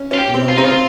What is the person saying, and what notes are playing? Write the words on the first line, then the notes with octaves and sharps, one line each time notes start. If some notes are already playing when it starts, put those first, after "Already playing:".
"You know what?
Already playing: C#4
C#4 F4
G4
C4
F4
C4 D#4
F4